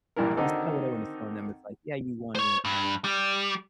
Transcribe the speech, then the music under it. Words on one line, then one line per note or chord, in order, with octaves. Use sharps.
uh, that's kind of what I wanna instill in them. It's, like, yeah, you wanna,
A#1 G2 E3 E4 A#4
D3 D#3 C4 D#4 F#4 A4
C5 C#5
G2
G3